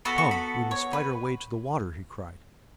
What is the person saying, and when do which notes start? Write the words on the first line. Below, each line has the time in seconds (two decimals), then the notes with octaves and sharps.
"Come, we must fight our way to the water!" he cried.
0.05 B3 F#4 A4 B5
0.18 C#6
0.31 B5
0.71 C#5
0.93 B4